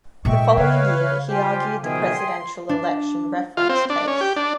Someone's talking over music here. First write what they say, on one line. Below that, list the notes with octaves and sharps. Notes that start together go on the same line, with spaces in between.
The following year he argued the Presidential Election Reference case.
A#2 G#3 D#5 E5 G5 C#6
C#3 B4 C#5 F5
F4 G4 C5 G5 G#5
B2 D#3 F3 G#4 E5 G5
C6
D4
F4
C4
D4
C#4
G4
D4